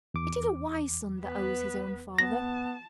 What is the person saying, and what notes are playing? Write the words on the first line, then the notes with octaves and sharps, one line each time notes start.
It is a wise son that owes his own father.
E2 D6
B3 B4
B3 A5 A#6